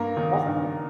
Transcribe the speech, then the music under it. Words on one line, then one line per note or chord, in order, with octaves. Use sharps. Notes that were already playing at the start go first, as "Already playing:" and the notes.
That's good.
Already playing: G2 A#3 A#4
D#3 A#3 D#4
G2